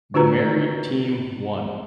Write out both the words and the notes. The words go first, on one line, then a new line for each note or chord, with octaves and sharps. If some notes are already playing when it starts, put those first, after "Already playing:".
The Married team won.
D3 D4 F4 F#4 B4 A#5